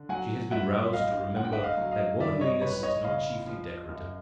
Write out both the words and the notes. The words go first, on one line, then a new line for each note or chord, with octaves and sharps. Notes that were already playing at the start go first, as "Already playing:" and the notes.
She has been aroused to remember that womanliness is not chiefly decorative.
Already playing: D3
F#3 F#5 G#5
G2 E5 F#5
A1 D#5 F5
D3 F#5
G5
E5 F#5
D#5 F5
F#3
D#5 F5
G2 D5 E5
C#5 D#5
A1 B4 C#5
C#5 D#5
C#3 D#5 F5
F3
F#2